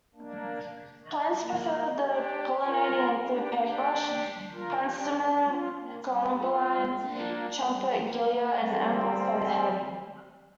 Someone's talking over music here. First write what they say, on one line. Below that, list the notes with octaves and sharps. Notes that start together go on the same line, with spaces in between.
Plants preferred for pollinating include paintbrush, penstemon, columbine, trumpet gilia, and elephant head.
A#3 D4
A#3
D4 G4
F4 A#4
D4 G4
D4 G4
F4 A#4
D4 G4
C4 F4
A#3
G3 C4
C4 F4
A#3 D4
G3 C4
A#3
A#3
G3 C4